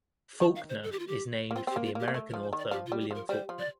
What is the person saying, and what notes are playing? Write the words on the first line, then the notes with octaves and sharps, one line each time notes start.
Faulkner is named for the American author William Faulkner.
D#3 A5
F5
C5
A4
G4
F4
G4
A#3
C4 F4
C4 G4
A#3
F4
A#3
G4
A#3
A3 A#4
A#4
F3
C5
D#3 D5
F3 G4
F4
G3
G4
F3 A#4
G3 C5
F3
D5